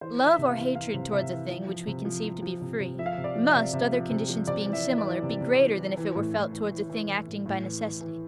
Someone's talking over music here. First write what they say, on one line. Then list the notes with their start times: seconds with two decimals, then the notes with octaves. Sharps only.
Love or hatred towards a thing, which we conceive to be free, must, other conditions being similar, be greater than if it were felt towards a thing acting by necessity.
0.01 E3 C5
0.20 E3
0.26 E5
0.38 C3
0.51 F5
0.57 E3
0.75 E3 F5
0.94 C3
1.12 C3 E5
1.31 E3
1.50 F3
1.68 F3
1.87 C3
2.05 F3
2.24 F3
2.43 F3
2.62 C3
2.80 C3
2.99 F3 E5
3.06 F5
3.13 E5
3.18 C3
3.24 D5
3.35 F3
3.48 E5
3.55 C3
3.73 C3 E5
3.92 F3
4.11 C3
4.29 F3
4.47 C3 D5
4.66 E3
4.73 E5
4.85 E3
4.98 D5
5.04 E3
5.23 C3
5.41 C3
5.59 E3
5.78 E3
5.97 E3
6.15 A2
6.34 A2
6.52 E3
6.71 E3
6.90 E3
7.08 E3
7.28 A2
7.46 A2
7.64 E3
7.83 E3
8.01 E3